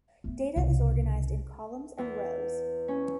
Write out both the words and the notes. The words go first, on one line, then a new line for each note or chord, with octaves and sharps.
Data is organized in columns and rows.
A3 B3
C2 C#3
E2
C#4